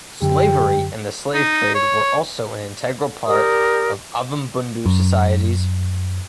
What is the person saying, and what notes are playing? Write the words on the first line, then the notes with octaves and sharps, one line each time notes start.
Slavery and the slave trade were also an integral part of Ovimbundu societies.
F#2 D3 G4
D#4
C#5
G4 A#4 D5 D#6
F#2